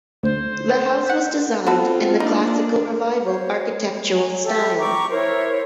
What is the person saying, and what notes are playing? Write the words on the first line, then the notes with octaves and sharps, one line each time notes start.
The house was designed in the Classical Revival architectural style.
D2 C5
F#5 B6
B3 C4 F4 F#4 A4
A#3 D4 D#4
C5 C#5
C#5
G#5
G4 A4 E5
G5 A#5 C#6 D6
E4 A#4 C5 C#5